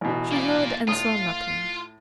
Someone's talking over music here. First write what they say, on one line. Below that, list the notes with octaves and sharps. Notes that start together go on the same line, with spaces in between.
She heard and saw nothing.
A1 B2
A#3 D5
A2 F4 D#6